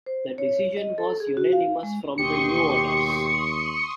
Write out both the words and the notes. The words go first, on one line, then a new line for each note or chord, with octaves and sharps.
The decision was unanimous from the new owners.
C5
C#5
D#5
A4
G#4
F#4
F5
G#3
D#2 B2 G4 C6 C#6 D#6 C#7